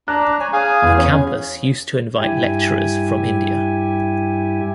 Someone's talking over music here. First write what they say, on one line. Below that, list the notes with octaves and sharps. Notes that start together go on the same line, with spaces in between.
The campus used to invite lecturers from India.
D4 A#5 F#6
C#5 G#5
G#4 F5 G#5
E2
C#4
G2 E4 G4 G#5